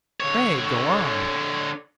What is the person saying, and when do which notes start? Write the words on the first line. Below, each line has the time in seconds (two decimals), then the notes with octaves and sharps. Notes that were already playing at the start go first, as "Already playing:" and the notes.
Pray go on!
0.20 D3 C#5